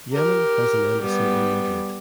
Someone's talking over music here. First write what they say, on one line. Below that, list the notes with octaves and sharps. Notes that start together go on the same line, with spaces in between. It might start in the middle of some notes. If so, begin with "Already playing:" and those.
Yemen has an embassy in Madrid.
G4 A#4
G3 B3